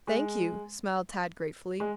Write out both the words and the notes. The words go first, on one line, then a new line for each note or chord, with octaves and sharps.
"Thank you," smiled Tad gratefully.
G#3
G#3